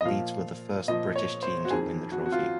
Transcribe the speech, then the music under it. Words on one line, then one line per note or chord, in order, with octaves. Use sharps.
Leeds were the first British team to win the trophy.
D#5
A#2 F3 F5
A#2 F3 D#5
C#5
C5
F#4
F2 D#3 G#4
F#4
F#4
F4